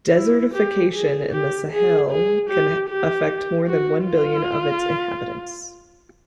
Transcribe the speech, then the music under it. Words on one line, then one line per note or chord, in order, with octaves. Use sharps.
Desertification in the Sahel can affect more than one billion of its inhabitants.
E4
G4
G#4
G4
G#4
G#4
G4
G4
F#4
F4